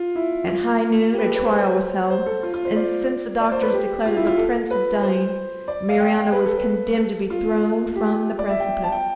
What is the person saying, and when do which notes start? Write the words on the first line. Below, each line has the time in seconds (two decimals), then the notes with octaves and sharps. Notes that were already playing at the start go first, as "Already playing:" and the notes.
At high noon, a trial was held, and since the doctors declared that the Prince was dying, Marianna was condemned to be thrown from the precipice.
Already playing: F4
0.15 E4
0.48 F4
1.13 G4
1.18 B4
1.24 A4
1.35 B4
1.45 C5
2.10 C5
2.26 A4
2.43 F4
2.54 F4
2.65 C5
2.76 D5
3.41 D5
3.51 C5
3.62 B4
3.73 G4
4.05 F4
4.17 E4
4.27 F4
4.37 A4
4.71 B4
5.02 C5
5.68 D5
5.89 F5
6.00 G5
6.16 G5
6.32 B4
6.46 A4
6.58 B4
6.97 A4
7.30 F4
7.95 G4
8.12 G4
8.39 D5
8.49 E5
8.60 G5
8.83 A5
8.92 G5